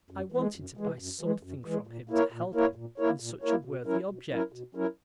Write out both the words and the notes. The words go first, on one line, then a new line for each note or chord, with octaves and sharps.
I wanted to buy something from him to help him in such a worthy object.
F#2
E3
G#3
F#2
E3 G#3
F#2
E3 G#3
F#2
E3 G#3
A#2
A#3 E4 A#4 C#5
A#2
A#3 E4 A#4 C#5
A#2
A#3 E4 A#4 C#5
A#2
A#3 E4 A#4 C#5
B2
F#3 C#4 E4 A#4
B2
F#3 C#4 E4 A#4
B2
F#3 C#4 E4 A#4